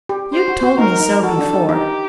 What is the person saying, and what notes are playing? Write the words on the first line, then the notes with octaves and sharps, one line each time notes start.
"You told me so before."
G4
C5
F#4
F#4
D#4 A#4
D#4
F#4 A4
D4
D#4
D#4 G4